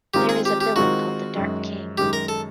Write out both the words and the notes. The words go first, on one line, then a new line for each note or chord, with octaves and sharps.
There is a villain called the Dark King.
D#3 G#3 C4 F4 G4 A#4
G#4
G4
G4
D#3 G#3 C4 F4 F#4 A#4
F#2 D#3 G#3
F#2 D#3 G#3 G4
A#4
A4